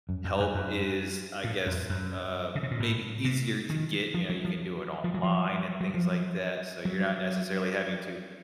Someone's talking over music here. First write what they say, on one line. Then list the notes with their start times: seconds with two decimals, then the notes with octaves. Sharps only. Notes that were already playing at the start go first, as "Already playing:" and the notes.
help is, I guess, uh, maybe easier to get. You know, you can do it online and things like that, so you're not necessarily having to
0.09 F#2
0.24 F#2
0.40 F#2
0.55 F#2
1.44 A2
1.66 F2
1.89 F#2
2.55 C#3
2.63 C3
2.71 A#2
2.80 A2
3.25 C3
3.70 D#3
4.14 F3
4.29 F#3
4.45 F3
5.04 F3
5.14 F#3
5.23 F3
5.80 F#3
5.94 F3
6.85 F#3